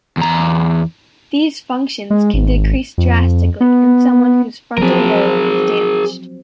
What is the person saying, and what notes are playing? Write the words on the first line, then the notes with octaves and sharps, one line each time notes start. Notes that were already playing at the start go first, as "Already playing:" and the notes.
These functions can decrease drastically in someone whose frontal lobe is damaged.
E2 A#5
G#3
G#1
F2
B3
F3 F#3 C4 G#4 A#4